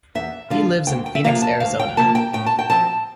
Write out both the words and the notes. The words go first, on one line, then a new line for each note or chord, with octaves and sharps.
He lives in Phoenix, Arizona.
E2 E5
D3 F3 F5
D2 G5
G5
E5
C3 F3 A#3 F5
A5
D2 F5
G5
C3 F3 A#3 A5
G5
A2 G5
A5
G5
F3 C4 A5